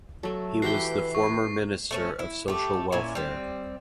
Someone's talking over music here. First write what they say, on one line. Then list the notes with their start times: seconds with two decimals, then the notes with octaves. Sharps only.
He was the former Minister of Social Welfare.
0.23 F#3 A3 A4
0.62 E3 F#4 G4 B4 G5 C7
1.15 C#6
1.91 A3 C4 C#4
2.19 E4
2.48 A3 G4
2.92 A#2 C#4 E4 G#5
3.15 G3 C4